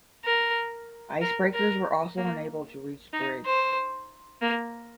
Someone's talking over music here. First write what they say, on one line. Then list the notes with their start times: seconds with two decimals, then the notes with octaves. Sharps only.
Icebreakers were also unable to reach the bridge.
0.25 A#4
1.21 A#4
1.53 A#4
2.18 A#3
3.13 D#4
3.46 C5
4.41 A#3